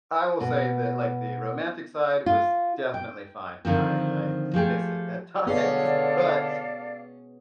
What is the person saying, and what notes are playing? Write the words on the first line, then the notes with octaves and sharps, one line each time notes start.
I will say that, like, the romantic side was definitely fine. I I miss it at times, but
B2
F4
G5
D3 D#3 F3 C4
F3 A3 G4 G#4
D3 B3 C#4 G#4 A4 D5 F5